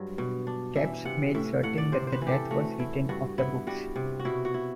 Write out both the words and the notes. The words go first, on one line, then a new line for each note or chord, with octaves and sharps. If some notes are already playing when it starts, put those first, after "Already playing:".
Kappes made certain that the death was retained 'off the books'.
Already playing: G2 F#3
B2
D4
E3 E5
C3 F#5
A2 E5
A2 F#5
D5
C3 C5
C5
B4
E3
G4
A4
A3 F#4
E4
G2 F#4
B3 E4
G3 F#4
C3
F#4
B2 E4
F#4
E4